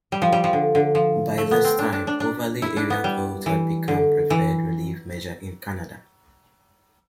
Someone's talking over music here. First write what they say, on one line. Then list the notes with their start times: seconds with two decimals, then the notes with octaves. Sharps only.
By this time, overlay area codes had become the preferred relief measure in Canada.
0.12 G3
0.22 F3
0.32 G3
0.44 F3
0.53 D3
0.75 D3
0.95 F3
1.38 A3
1.51 B3
1.64 C4
1.79 D4
1.92 D4
2.07 D4
2.20 D4
2.62 E4
2.77 D4
2.90 B3
3.04 G3
3.46 E3
3.88 D3
4.30 E3